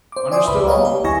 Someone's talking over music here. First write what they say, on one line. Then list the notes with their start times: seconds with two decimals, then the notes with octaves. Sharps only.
Understood all?'
0.12 C5 D6
0.31 D5 E5 G#5 C6 D6 D#6
0.47 C#2 B4 B5
0.67 C#5 D#5 F5
0.85 G4
1.04 D2 E4 G#5 C#6 A#6